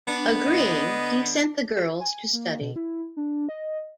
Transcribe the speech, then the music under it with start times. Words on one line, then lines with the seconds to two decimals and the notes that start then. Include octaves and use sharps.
Agreeing, he sent the girls to study.
0.08 B3 D4
0.46 D3 D#5
2.00 G#5
2.33 A#3
2.61 B2
2.76 E4
3.17 D4
3.49 D#5